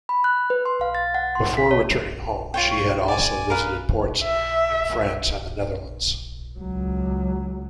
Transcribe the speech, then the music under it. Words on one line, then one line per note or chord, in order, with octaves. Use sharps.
Before returning home, she had also visited ports in France and the Netherlands.
B5
F#6
B4
C6
F5
A6
F#5
C6
B6
C#5
F4 C#5 G5
C#6
D5 G#5
A#4 B4 F5
E5
C#2 F#3